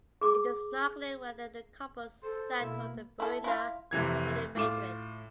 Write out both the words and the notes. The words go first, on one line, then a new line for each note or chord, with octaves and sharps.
It is not clear whether the couple settled in Burriana or in Madrid.
G#4 D6
A4 C5
B2 A#3 E4
E4 A4
E4 F4
F1 C3 E3 G#6
A2 F4 D6 E7